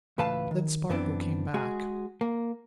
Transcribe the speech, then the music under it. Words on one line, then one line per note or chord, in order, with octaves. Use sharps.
Then Spargo came back.
C#2 A2 E3 B4 F5 A5
D#3
F#2 E3 B3 C4 D4
G#3 F#4 G#4
A#3